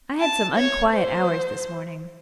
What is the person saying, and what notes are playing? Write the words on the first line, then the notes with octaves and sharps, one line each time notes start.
I had some unquiet hours this morning.'
A5
C#5
C5